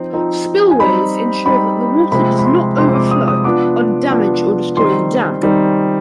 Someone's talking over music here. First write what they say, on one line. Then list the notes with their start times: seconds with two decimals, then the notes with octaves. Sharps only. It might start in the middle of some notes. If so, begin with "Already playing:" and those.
Spillways ensure that the water does not overflow and damage or destroy the dam.
Already playing: F3 C4 D#4
0.13 F3 C4 D#4
0.71 G#5
0.79 G3 C4 D#4 B5
1.46 G3 C4 D#4 B5
2.12 C3 F3 G#3 C4 B5
2.39 B5
2.45 C6
2.78 C3 F3 G#3 C4 C6
2.89 C6
2.94 D6
3.11 D#6
3.28 D#6
3.44 F3 B3 D4 F4 D6
4.11 F3 B3 D4 F4
4.77 D#3 G3 C4 D#4 C6
5.43 D#3 G3 C4 D#4